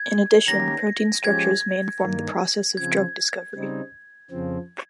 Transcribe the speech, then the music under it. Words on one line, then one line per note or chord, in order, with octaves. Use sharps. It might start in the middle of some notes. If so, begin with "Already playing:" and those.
In addition, protein structures may inform the process of drug discovery.
Already playing: G#6
D#3 A#3 C#4 G4 A#4 A#6
F3 G#3 C#4 G4 G#6
G2 D#3 A#3
C#3 F3 C4 G#6
C#3 G3 C4 D#4
F2 C#3 F3 C4